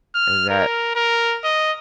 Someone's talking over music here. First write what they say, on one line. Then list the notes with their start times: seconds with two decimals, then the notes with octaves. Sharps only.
and that
0.15 F6
0.50 A#4
0.95 A#4
1.44 D#5